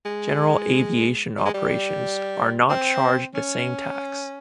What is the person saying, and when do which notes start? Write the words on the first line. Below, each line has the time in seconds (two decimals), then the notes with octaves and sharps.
General aviation operations are not charged the same tax.
0.05 G#3
1.38 G3
1.45 G#3
1.54 G3
2.69 C4
3.35 C#4